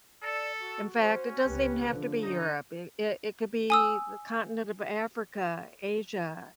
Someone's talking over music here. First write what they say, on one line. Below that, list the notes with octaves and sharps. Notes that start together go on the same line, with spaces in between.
In fact, it doesn't even have to be Europe. Eh, it it could be the continent of Africa, Asia.
A4 D5
F#4
C#4 C5
C#2 G4 B4
D3 F3
C#4 D#4
G#5 D#6 E6